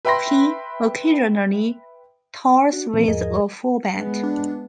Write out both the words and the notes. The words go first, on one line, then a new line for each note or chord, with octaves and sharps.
He occasionally tours with a full band.
B4 E5 G5 B5 C6 A#6
D4 F#4
A#2 E3 F3 B3 C4
E2 G#2 F3 G#4 A#4 D#5
G#3 B3
D4